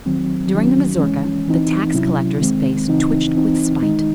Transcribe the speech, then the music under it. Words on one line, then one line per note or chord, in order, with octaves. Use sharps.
During the mazurka the tax-collector's face twitched with spite.
D#3 F#3 C4
D#3 F#3 C#4
E3 G#3 C#4
E3 C4 D#4
C3 F#3 C#4 E4
D#3 G#3 C4
C#3 E3 C4 D#4
E3 C4 D#4
D#3 G#3 D#4